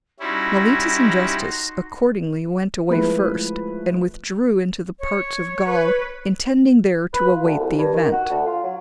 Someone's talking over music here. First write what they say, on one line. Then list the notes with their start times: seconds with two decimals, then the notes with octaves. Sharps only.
Mellitus and Justus accordingly went away first, and withdrew into the parts of Gaul, intending there to await the event.
0.20 G3 C#4 D#4 E4 F#4 C6
2.90 F3 G#3 A3 E4 B4
4.99 C#5
5.67 B4
7.13 B4
7.29 F4
7.43 D2
7.60 C2
7.78 G2
7.94 D#3
8.12 F#4
8.30 D2
8.46 F4
8.63 F#3